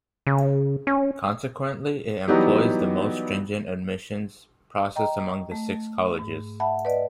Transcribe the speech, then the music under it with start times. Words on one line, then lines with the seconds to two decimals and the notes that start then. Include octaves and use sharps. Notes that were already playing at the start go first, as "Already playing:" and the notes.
Consequently, it employs the most stringent admissions process among the six colleges.
0.27 C#3
0.87 C#4
2.28 E3 F#3 G3 B3 D#4 G4
4.96 D#5 G5 A#5
5.52 A3
6.19 G#2
6.60 E5 F#5 A5 B5
6.85 B4 D5 D#5